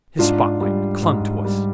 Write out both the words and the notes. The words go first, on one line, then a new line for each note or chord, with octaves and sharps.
His spotlight clung to us.
G#2 D4 F4
G3
G#2
G3